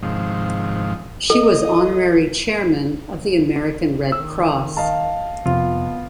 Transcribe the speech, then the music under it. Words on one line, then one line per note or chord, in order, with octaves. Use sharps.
She was Honorary Chairman of the American Red Cross.
G#2 C3 D#3 F3
A4 D#5
D#3 E6
D#5 F5 A5
F2 C3 B3 F4